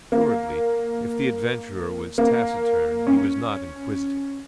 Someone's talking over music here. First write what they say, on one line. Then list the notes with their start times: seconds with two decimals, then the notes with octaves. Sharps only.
Assuredly if the adventurer was taciturn he was not inquisitive.
0.12 A#3
2.18 A#3
3.07 C#4